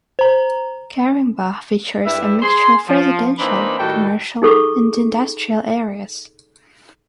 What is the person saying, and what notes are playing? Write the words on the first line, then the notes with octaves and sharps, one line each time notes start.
Caringbah features a mixture of residential, commercial and industrial areas.
C5 A#5
G2 G3 E4 B4 E5
G#4 C6
F3
E3 A#3 C4 D4 D#4 B5
A2 D#3 G3 F#4 A4 G5
D#4 G#4 A4 C#6 D6